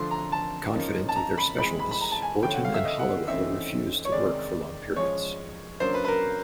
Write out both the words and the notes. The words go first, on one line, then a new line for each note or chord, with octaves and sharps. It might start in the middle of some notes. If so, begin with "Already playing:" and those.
Confident of their "specialness", Orton and Halliwell refused to work for long periods.
Already playing: D3 F3 A3 D4 C6
A#5
A5
C#3 F3 A#3 D#4
A5
A#5
B5
E3 G#3 C4 B5
B5
B5
A#5
A5
G#5
D3 F3 A3 C#4 G5
F#5
F5
E5
D#5
F#5
C#3 E3 A3 C4 D#4 E5
C#5
C3 D#3 G#3 C#4 D5
F3 G#3 C#4 C#5
C#3 F#3 A#3 D4 C5
B4
B4
A#4